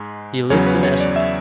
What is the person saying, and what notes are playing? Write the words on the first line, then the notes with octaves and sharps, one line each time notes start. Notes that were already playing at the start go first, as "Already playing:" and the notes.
He lives in Esher.
Already playing: G#2 G#3
E2 C#3 F#3 C#5
B4
C#5
D5
E5